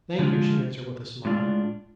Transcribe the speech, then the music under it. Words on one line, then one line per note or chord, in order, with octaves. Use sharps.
"Thank you," she answered, with a smile.
D3 F3 G#3 D4 F4
A2 G#3 D4 F4